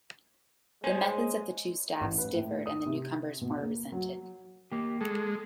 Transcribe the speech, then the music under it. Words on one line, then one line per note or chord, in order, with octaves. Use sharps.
The methods of the two staffs differed and the newcomers were resented.
G#3 C5 C#5 G#5
A1
B4
A2
D#6
C3
B2
A#3
F#3
A#3 G4
G#3 A4